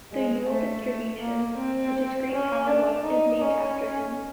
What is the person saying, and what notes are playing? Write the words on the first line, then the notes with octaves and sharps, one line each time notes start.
The Yule distribution, a discrete power law, is named after him.
G#3
A3
A3
A#3
C4
C#4
D4
D#4
C#4